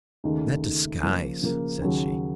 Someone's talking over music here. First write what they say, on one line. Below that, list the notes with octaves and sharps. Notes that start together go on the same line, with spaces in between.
"That disguise!" said she.
D#2 C#3 A3 D#4
D#2 C#3 A3 D#4
C#3 F3 A#3
C#3 F3 A#3
D#2 C#3 F#3